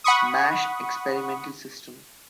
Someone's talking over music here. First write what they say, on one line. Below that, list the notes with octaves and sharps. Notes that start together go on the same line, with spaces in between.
Mash experimental system.
F#5 B5 C#6 D#6